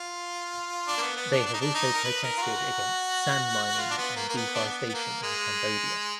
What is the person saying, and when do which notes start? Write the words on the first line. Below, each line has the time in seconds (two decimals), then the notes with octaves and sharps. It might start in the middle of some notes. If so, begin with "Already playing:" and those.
They have also protested against sand mining and deforestation in Cambodia.
Already playing: F4
0.88 D4
0.97 A#3
1.02 B3
1.16 B3
1.32 D4
1.46 D4
1.54 D#4
1.61 D4
1.75 D#4
1.94 A#4
2.04 B4
2.23 A#4
2.37 F4
2.43 F#4
3.78 F4
3.91 D4
3.98 B3
4.16 A#3
4.29 A#3
4.37 B3
4.54 D4
4.66 B3
4.89 B3
4.94 A#3
5.23 G#3